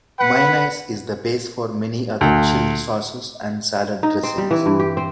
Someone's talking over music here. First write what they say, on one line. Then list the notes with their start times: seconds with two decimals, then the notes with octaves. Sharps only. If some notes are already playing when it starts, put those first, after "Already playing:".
Mayonnaise is the base for many other chilled sauces and salad dressings.
0.19 B4 F#5 B5
2.21 D2
4.03 D#4
4.23 C4
4.38 G3
4.51 E3
4.66 G2
4.79 G4
4.97 C4